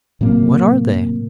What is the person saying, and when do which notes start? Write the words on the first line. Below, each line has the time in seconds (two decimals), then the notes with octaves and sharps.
What are they?
0.21 A2 C3 F#3 A#3